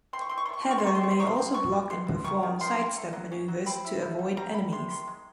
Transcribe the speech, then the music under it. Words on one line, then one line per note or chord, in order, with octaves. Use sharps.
Heather may also block and perform side-step maneuvers to avoid enemies.
C4 C6
C#6
C4 C6
C#6
C6
A3
C#6
C6
F3 C#6
C6
D#4 C#6
C6
C4 C#6
C6
D#4 C#6
C6
C4
B2 C#6
B2
B2 C6
B2
D#3 C#6
D#3
D#3 C6
G3
A3
F#3
C#4
F#3
C4 B5
E4
E4
G3
G3 A#5
G3 B5
C3 C6
D#3 C6
G#3